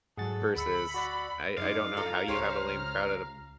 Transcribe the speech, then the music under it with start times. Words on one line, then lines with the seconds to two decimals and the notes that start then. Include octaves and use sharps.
versus I I don't know how you have a lame crowd at
0.17 G#2 F#3 G#4 A4 F#5 A6
0.56 D2 B5 E6 C#7
0.94 F#4 D5 F#5
1.57 F#2 G#3 D#4 D5 F5
1.97 F4 A4 A#5
2.28 C#2 G4 C5 C#5